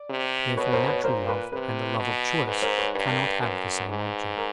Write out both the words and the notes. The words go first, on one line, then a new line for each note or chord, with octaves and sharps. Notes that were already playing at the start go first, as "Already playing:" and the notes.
Therefore natural love and the love of choice cannot have the same object.
Already playing: D5
C3
B2 B4 C#5
A#4 C5
B4 C#5
A#2 A#4 C5
B4
C3 B4
B2
G#2 B4
A#4 C5
B4 C#5
G2 B4
A#4
B4
F#2 B4
G#2
A#4